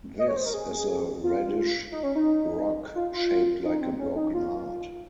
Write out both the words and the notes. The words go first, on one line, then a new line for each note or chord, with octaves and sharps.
This is a reddish rock shaped like a broken heart.
D#5
C#5
C5
A#4
G#4
F4
D#4
C#4
D#4
F4
F4
D#4
C4
C#4
D#4
F4